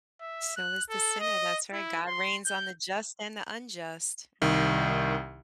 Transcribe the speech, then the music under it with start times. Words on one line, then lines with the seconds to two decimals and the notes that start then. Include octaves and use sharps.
So is the sinner, that's right, God reigns on the just and the unjust, mhm.
0.21 E5
0.56 F#6
0.90 A4
1.20 D#5
1.73 E4
2.07 C6
2.46 G6
4.42 C2 D#3